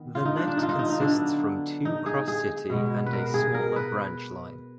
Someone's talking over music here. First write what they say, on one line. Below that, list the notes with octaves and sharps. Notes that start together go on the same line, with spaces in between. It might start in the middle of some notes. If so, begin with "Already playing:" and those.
The net consists from two cross-city and a smaller branch line.
Already playing: D#3 B3
F4
D#4
D4
D4
D#4
F4
D#4
D#4
D#4
D3 F#3 B3 D4
D#4
G#4
G#4
B2 G#3 B3
B4
A#4
G#4
A#4
B4